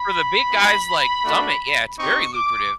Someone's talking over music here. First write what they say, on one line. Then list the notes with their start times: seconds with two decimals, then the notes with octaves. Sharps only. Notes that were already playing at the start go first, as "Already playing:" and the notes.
For the big guys, like Summit, yeah, it's very lucrative.
Already playing: B5
0.50 B3 D#4 G4
1.24 A3 D4 F#4
1.97 C4 D#4 G4 C#6
2.34 D6